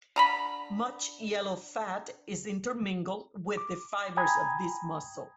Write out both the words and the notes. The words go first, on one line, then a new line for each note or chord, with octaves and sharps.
Much yellow fat is intermingled with the fibers of this muscle.
D3 A#5 B5
D6
G5 G#5 A#5 B5 D#6 G#6